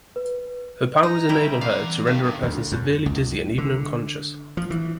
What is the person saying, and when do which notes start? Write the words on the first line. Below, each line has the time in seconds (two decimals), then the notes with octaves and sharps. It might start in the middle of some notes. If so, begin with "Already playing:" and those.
Her powers enable her to render a person severely dizzy and even unconscious.
0.16 B4
1.03 D#4 A#5
1.29 D3 G3 D4 E4 E5
1.61 C4 D5 F5 F#5
1.80 E3
2.07 D#3 G3 C4 F5
2.23 G2 F#3 A3 B3
2.43 D2
2.72 F#2
3.06 C#2
3.58 D3
4.57 F3
4.70 E3